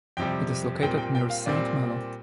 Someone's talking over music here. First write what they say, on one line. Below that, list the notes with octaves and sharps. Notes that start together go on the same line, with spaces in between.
It is located near Saint-Malo.
F2 C3 G3 G5
A#2 G3 C4 G5
G5
G5
F5
A#2 G3 C4 D5